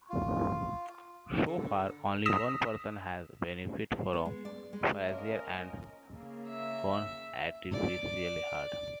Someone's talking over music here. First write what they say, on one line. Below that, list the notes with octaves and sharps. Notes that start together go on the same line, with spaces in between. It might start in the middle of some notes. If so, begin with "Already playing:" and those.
So far, only one person has benefited from Frazier and Cohn's artificial heart.
F4
D3
D#6 E6 A#6 B6 E7
B3
G#3
D5
G#3
F3 A#3 C#4 A#4 C#5 D#5 E5
C#3 A#3
E5
D5